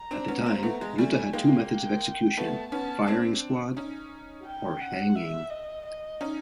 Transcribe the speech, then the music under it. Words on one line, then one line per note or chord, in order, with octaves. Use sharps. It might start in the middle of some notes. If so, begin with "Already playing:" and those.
At the time, Utah had two methods of execution - firing squad or hanging.
Already playing: A#5
C4 D4
B3 C#4
A#3 C4
A3 B3
G#3
G3 A3 G#5
G#3 A#3 G5
G5
A3 B3 A5
B3 C#4 A5
C4 D4
C#4 D#4
G5
F#5
E5
D#5
D#5
C#4 D#4